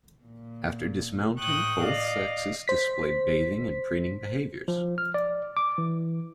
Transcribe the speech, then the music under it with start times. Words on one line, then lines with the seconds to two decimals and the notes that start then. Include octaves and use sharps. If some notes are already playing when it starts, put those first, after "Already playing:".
After dismounting, both sexes display bathing and preening behaviours.
0.23 A#2
1.38 A2 G5 C#6 D#6 F#6
1.82 D5 D#5 F5
2.68 C5 B6
4.68 F3
4.98 F6
5.14 D5
5.57 D6
5.78 E3